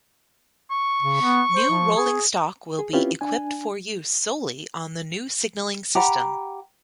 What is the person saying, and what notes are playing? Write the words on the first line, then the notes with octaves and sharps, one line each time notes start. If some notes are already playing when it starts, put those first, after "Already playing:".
New rolling stock will be equipped for use solely on the new signalling system.
C#6
C#3
B3
C5
F3
G#4
G#4
C4 C#4 E4 F4 G4 B4
D4 G#5
G4 F#5 A#5 B5